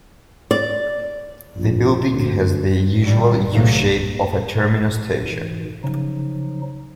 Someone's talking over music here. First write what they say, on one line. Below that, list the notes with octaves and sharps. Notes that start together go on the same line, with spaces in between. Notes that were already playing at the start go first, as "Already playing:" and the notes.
The building has the usual U-shape of a terminus station.
D5
A#1
D2
G2 D3 D#3 G3
G#2 C3 D#3 F#3 A3 A#3
G#2 B2 E3
C#3 F3 F#3 D#4